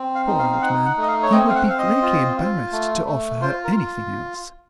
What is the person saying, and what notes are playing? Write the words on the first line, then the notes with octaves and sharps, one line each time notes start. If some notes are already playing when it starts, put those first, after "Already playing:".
"Poor old man, he would be greatly embarrassed to offer her anything else."
Already playing: C4
F5
D#4
F5
F5
D#4 F#5
F#5
A3
D#5
F5
C#5
C4 D#5
F5
F#5
C4 F5
D#5
F4
F4
A3
A3
F4 C5
A#4
F4